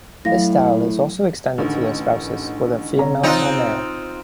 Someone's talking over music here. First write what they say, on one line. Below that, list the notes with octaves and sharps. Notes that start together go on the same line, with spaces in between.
This style is also extended to their spouses, whether female or male.
A2 F#3 F5 A#6
A1 D3 D#3
C3 C#5 A#5
C4 D#4 F4 F#6 G6